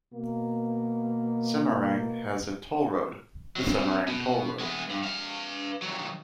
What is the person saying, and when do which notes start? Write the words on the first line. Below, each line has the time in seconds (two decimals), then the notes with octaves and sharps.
Semarang has a toll road, the Semarang Toll Road.
0.13 B2 A#3
3.56 F#3 C4
4.08 B2
4.60 G#3 B3
4.90 G2
5.03 B4 F5
5.82 D#3 F#3